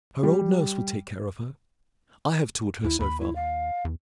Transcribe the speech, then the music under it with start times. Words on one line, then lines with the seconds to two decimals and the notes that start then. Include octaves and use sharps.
Her old nurse will take care of her, I have taught her, so far.
0.23 G3
2.84 D#2 E4
3.00 D#2 B5
3.20 E4
3.36 F5
3.85 E2